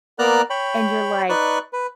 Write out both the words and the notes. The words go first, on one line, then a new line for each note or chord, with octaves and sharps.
and you're, like,
A#3 B3 A#4 D5 A#5 F#6
C#5 G5 B5
D#4 B4 D5 C#6 F#6
B4